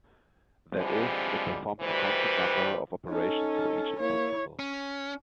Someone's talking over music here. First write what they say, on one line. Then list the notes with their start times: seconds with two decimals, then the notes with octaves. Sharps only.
That is, it performs a constant number of operations for each input symbol.
0.75 D3 E3 F3 G3 G#3 C4
1.81 D2 D#3 E3 G3 B4 C5
3.08 C#4 D#4 A4
3.99 A#3 E4 C#5
4.59 C#4